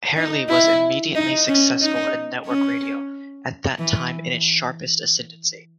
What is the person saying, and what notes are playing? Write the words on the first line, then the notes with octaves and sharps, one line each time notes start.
Herlihy was immediately successful in network radio, at that time in its sharpest ascendancy.
D#4
E4
D#4
C#4
D#4
C#4
E3